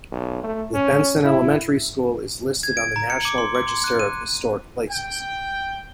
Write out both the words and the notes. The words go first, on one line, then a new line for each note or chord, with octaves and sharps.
The Benson Elementary School is listed on the National Register of Historic Places.
B1
A3
C#4
E4
G#6
D7
A#5
C#7
D6
C6
D6
C6
F#6
D#7
G5